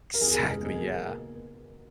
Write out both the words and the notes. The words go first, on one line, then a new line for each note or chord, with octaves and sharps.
Exactly, yeah.
A#4
E2 G#4
G#4
C#3 G#3 B3
B2
A#3